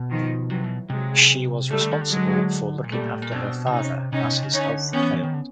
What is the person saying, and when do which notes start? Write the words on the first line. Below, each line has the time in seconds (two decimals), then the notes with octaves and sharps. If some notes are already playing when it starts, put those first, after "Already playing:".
She was responsible for looking after her father as his health failed.
Already playing: B2
0.10 D#3 F3
0.50 C3 E3 F#3
0.64 B2
0.90 C3 F#3 G#3
1.70 C#3 G3 A3
1.81 D3
1.92 D#3
2.01 D3
2.11 F#3 G#3
2.84 A#2
2.92 B2 G3 A3
3.01 A#2
3.12 A2
3.22 A#2
3.31 B2 C4 D4
3.66 C#3
3.72 C3 C#4 D#4
4.12 C3 C#4 D#4
4.23 B2
4.32 C3
4.43 C#3
4.52 D3 C#4 D#4
4.93 D#3 B3 C#4
5.03 E3
5.13 E3
5.23 D#3
5.34 D3